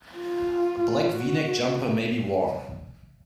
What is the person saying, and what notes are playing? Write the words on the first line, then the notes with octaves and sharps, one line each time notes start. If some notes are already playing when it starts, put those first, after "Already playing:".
A black v-neck jumper may be worn.
F4
F#4